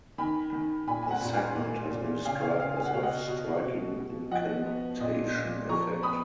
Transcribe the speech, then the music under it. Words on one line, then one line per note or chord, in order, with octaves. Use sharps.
The segment has been described as of "striking incantation effect".
D#3 G#5 B5
D#3
A#2 G#5 B5
G#5
F#5 A#5
A#2
F5 G#5
A#2
A#2
C#3 F5 G#5
F5
C#3 F5
G#5
F#5
B2 F5
D#5 F#5
B2
B2
B2
F3 D#5 F#5
B3
A#2 D#5
A#2
F3 A#5 C#6
B3 B5 D#6